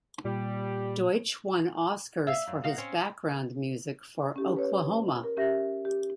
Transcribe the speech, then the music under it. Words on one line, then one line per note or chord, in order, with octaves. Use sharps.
Deutsch won Oscars for his background music for Oklahoma!
A#2 G3
E5 F5
F#2
D#4 F#4 F5
C4 C#4
C#4 G4 A4
B4 C#5
A#4
C#4 G4 E5 A#6
G4